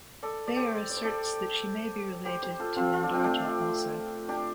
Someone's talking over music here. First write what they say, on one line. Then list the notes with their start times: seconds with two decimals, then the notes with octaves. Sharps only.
Thayer asserts that she may be related to Andarta also.
0.23 A4 D5
0.47 D5
0.56 G4 C5
0.90 D5
0.97 C5
1.05 A4 D5
2.25 G4 C5
2.43 G4 C5
2.59 F4 A4
2.76 C4 F4
2.93 F4
3.03 D4
3.13 C4
3.24 A3 D4
4.29 D4 G4